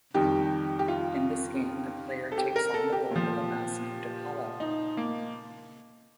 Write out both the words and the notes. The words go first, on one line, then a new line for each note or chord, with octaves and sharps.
In this game, the player takes on the role of a mouse named Apollo.
F2 D#3 G3 G4
G4
F4
A4
G4
A#4
A4
G4
A#2 F3
D#4
A#3